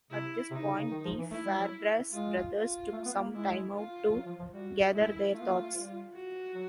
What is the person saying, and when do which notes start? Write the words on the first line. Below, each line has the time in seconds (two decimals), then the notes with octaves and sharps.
At this point the Fairbrass brothers took some time out to gather their thoughts.
0.11 C3 E4
0.51 C3 D#4
0.64 C#3
0.78 C#3
0.91 D#3
1.05 F3
1.18 E3
1.31 A3 E4
1.45 G3
1.59 F#3
2.12 G#3 F4
2.52 F4
2.93 A3
3.06 B3
3.19 A#3
3.32 G#3 E4
3.73 F4
4.13 F#3
4.26 F3
4.39 F3
4.53 G3 F#4
4.93 G#3 E4
5.33 A3 F4
5.41 B3
5.47 A#3
5.60 A3
5.73 G3
6.14 F#4
6.54 F#3